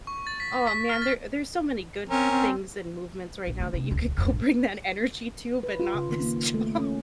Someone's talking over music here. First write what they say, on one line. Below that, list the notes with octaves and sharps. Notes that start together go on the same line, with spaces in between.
"Oh man, there there's so many good things and movements right now that you could go bring that energy to, but not this job.
C#6
A6
B6
B6
B6
F6
A6
C4 C#4 A#4
C4
A#1
D3 A3
C3
D#1 C#2
D1 F2
A#1 G2
B4
F4
C#3
D#3
A#3
A3
C#4